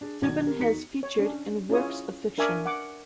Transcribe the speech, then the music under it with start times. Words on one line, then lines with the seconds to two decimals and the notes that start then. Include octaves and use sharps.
Thuban has featured in works of fiction.
0.01 D4 G#4
0.22 B1 D#3 F#3 D5 G#6
0.44 G4 A#4
0.59 E2 D#4 F#4 B6 C#7
1.03 C#5
1.19 C#4 D4
1.70 C#4 E4 F4 G#4 C#5 D#6
2.38 D4 A#4 E5 G#5 C#6 D6
2.66 F#5 D6